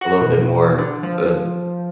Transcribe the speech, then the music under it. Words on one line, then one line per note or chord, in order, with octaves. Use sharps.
a little bit more, uh,
F#4
B2
D3
F3